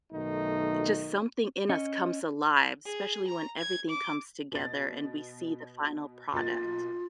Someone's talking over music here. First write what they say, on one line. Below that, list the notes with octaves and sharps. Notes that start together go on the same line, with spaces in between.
just something in us comes alive, especially when everything comes together and we see the final product.
B1 D#3 A3 D#4
C#4 D#5
G#4
A#5
G#6
D6
B2 A6
B1 A#3 F4 A6